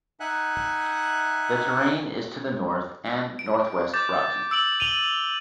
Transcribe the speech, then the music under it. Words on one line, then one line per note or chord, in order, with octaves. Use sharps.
The terrain is to the north and north-west rocky.
D#4 E5 F#5 G#5 F#6
D7
D6 G6 A6
E6 D7 F#7
D#7 F7 G7